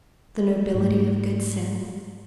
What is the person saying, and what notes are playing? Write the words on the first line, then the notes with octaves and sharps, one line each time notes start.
The nobility of good sense.
G#2 A3